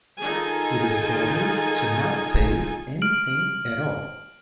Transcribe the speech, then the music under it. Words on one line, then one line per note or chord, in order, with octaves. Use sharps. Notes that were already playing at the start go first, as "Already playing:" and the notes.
It is better to not say anything at all.
D#3 D#4 F4 G#4 A4 G#5
F6 D7 F#7